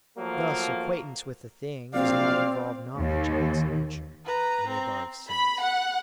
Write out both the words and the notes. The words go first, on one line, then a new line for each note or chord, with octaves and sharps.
Thus, acquaintance with a thing does not involve knowledge of its 'nature' in the above sense.
F3 F#3 A3 A#3
A#1 F#3 C4 D5 F5
D#2
B4 A#5
C4 A#5
B5
F#5